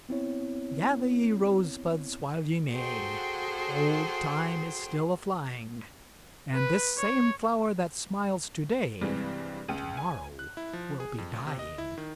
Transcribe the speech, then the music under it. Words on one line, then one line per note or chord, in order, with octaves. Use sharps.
Gather ye rose-buds while ye may, Old Time is still a-flying: And this same flower that smiles to-day, To-morrow will be dying.
B3 C4 E4 C#5
F#4 G#4 A4 C5 G5
B4
C#5
G2 C3 E3 G3 G#3
C#2 D#7
G#5
F#6
E4
F3
G#4
F2
D2
C3
D#5
E4
D#3